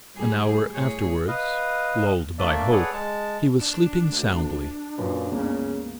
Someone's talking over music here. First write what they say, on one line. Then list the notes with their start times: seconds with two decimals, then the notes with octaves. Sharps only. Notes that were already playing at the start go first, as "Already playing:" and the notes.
An hour afterwards, lulled by hope, he was sleeping soundly.
0.15 A2 G3 G#4
0.73 A2 G#4 C#5
1.28 B4 D#5 F5
2.39 A3 A#3 D4 D5 E5
2.72 G#4 A4 B4 C#5 D5 F#5
2.93 G#3 A5
3.61 D4
4.12 D2
4.98 F#2 A#2 B4
5.31 G1 C#2 C#3 A#3